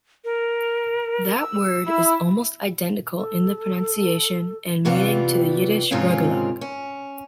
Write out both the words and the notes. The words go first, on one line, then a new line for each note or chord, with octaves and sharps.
That word is almost identical in pronunciation and meaning to the Yiddish "rugelach".
A#4
E6
E4
A4
G2 C3 E3 B3 F4 G4
G#2 C3 D#3 C4 C#4 F4
C#4